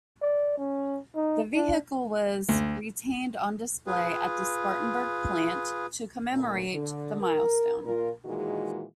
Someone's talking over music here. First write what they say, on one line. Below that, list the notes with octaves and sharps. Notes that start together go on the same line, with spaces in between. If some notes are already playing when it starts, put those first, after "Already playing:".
The vehicle was retained on display at the Spartanburg Plant to commemorate the milestone.
D5
C#4
D#4
D4
D2
F4 G#4 B4
D2 A#2
D3
A#4
A#2 F4 A#4
A#2 D#3 E3 G#3 F#4 G#4